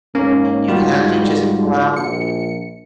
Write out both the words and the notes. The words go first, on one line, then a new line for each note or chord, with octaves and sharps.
you can actually just pull out
G#2 A#3 C#4
G3 F4 F#4
G3
A#1 C#7